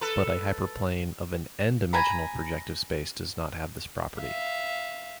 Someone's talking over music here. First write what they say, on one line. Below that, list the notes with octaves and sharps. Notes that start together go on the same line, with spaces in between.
But a hyperplane of an "n"-dimensional projective space does not have this property.
A4 B4
G#5 A#5 B5
E5 F5